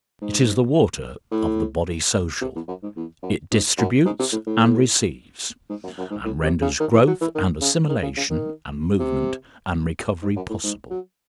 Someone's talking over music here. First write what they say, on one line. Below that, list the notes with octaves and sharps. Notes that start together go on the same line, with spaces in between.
It is the water of the body social, it distributes and receives, and renders growth and assimilation and movement and recovery possible.
G#2
A2
C3
E2
F#2
G#2
E2
F#2
G#2
F#2
G#2
C3
A2
A2
G#2
F#2
F#2
G#2
A2
C3
C#3
D#3
E3
F#3
E3
D#3
C#3
D#3
C#3
C#3
D#3
C3
G#2
F#2
A2
G#2
F#3